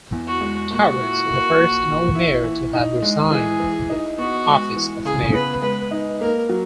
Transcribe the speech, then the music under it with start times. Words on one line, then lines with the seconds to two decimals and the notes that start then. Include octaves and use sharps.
Towers is the first and only mayor to have resigned the office of Mayor.
0.12 E2
0.27 F#4
0.41 G#3
0.70 A#2 F#4
1.00 E4
1.28 A#3
1.57 A#2
1.87 A#2
2.15 E4
2.44 E3
2.73 D#4
3.03 G#3
3.31 E3 G#4
3.60 E3
3.89 D#4
4.18 B3 F#4
4.47 G#3
4.76 E3
5.05 C#3 G#4
5.34 B3 B4
5.62 G#3 B4
5.91 D#4
6.21 A#3 A#4
6.49 F#3